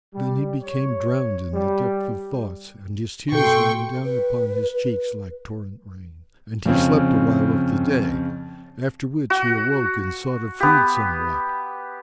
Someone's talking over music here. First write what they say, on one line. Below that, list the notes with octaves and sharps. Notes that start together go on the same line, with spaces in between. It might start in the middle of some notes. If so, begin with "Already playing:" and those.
Then he became drowned in the depth of thoughts and his tears ran down upon his cheeks like torrent-rain; and he slept a while of the day, after which he awoke and sought of food somewhat.
G3
C#5
G3
B2 A4 G5 C6 C#6
B4
F2 C#3 C4 C#4
F#4
B3 G4